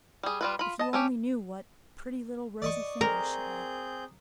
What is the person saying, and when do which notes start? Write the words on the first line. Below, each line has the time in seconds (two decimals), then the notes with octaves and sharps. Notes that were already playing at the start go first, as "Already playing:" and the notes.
If you only knew what pretty little rosy fingers she had!
0.23 G3 G#4
0.41 G3 F4 B4
0.59 F4 B5
0.79 D#5 A5
0.93 A3 C#4 G4
2.62 D5 D#5 C#6
3.01 C4 G#4 A#4 G6